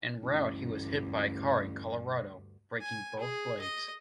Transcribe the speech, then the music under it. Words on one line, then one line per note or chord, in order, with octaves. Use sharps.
En route he was hit by a car in Colorado, breaking both legs.
A1 D2 G2
G#5
G#4
D#5